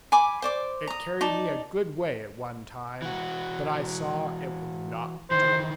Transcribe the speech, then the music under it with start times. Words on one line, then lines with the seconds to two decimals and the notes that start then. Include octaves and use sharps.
It carried me a good way at one time; but I saw it would not do.
0.12 G#5 B5 D6
0.42 C5 D5 D6
0.87 A#5 D#6
1.21 D#4 D5 A5
3.02 E3 F#4
5.31 D#3 E3 C5